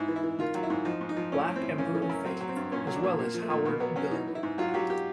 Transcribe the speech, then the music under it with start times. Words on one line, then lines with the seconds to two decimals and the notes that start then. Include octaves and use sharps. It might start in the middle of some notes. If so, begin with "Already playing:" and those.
Black Emperor fame, as well as Howard Bilerman.
Already playing: G#2 E4
0.08 E3
0.16 E4
0.24 E3
0.39 D#3 F4
0.55 F#3
0.63 E4
0.70 G#2
0.85 F3 D#4
1.01 G#2
1.09 D#4
1.17 F3
1.32 A2 C#4
1.48 A2
1.56 C4
1.63 A2
1.78 C#3 C#4
1.95 E3
2.02 C#4
2.09 F#2
2.25 F#3 C4
2.41 F#3
2.49 C4
2.56 G2
2.72 A#2 C#4
2.87 F#3
2.96 D4
3.03 A#2
3.19 A#2 A#3
3.34 F3
3.42 A3
3.50 A#2
3.65 B2 A#3
3.80 F#3 B3
3.96 F#3 C#4
4.11 E3 D#4
4.28 E3
4.35 E4
4.43 G#2
4.58 F#3 F4
4.68 F#4
4.74 F#3 G4
4.90 G4